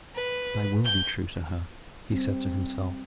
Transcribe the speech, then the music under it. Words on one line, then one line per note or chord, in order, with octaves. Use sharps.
"And I will be true to her," he said to himself.
B4
G6
G3 C4